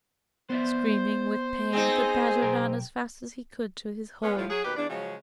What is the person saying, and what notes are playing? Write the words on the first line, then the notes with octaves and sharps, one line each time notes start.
Screaming with pain the badger ran as fast as he could to his hole.
B3 C5 D5 E5
C4 D#4 G#4
B1 G5 A#5
G#3 B3 C#4
A2 F3
F#3 G#4
D#2 B2 G4 B4
E2 D4
C#3 F3 F#3 G#3 C#4